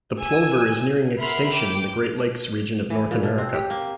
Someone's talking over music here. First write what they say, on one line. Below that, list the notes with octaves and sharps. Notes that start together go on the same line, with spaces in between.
The plover is nearing extinction in the Great Lakes region of North America.
G#5 E6
A#4 E5 F#5 B5 C6 F6
G5 D6
E3
A#2
B2
C4
G4
A#3